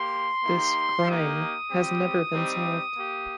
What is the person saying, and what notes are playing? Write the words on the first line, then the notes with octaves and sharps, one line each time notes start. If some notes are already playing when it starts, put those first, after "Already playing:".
This crime has never been solved.
Already playing: A#3 G4 C6
A#3 D#4 G4
A#3 D#4 G4 D#6
G3 C4 G4
G3 C4 D#4 G4
A#3 G4